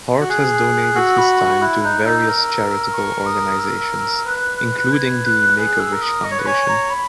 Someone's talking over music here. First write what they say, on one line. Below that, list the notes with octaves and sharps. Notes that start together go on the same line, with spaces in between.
Hart has donated his time to various charitable organizations, including the Make-A-Wish Foundation.
F#4
G#4 F#6
F#4 E6
B5
C#6
E4 F#6
D#4 F#6
D#4 E6
A#4
C#6
D#6
E6
B4 F#6
G#6
F#6
G#4 F#6
E6
A#4
D#6
D#5 C#6
C#5
B4
C#5 G#5
A#5
B5